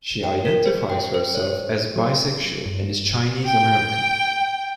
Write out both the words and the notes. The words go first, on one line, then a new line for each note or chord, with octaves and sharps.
She identifies herself as bisexual and is Chinese American.
G5
A#4
C5
G5
C5
C#5
F#3
G2
G5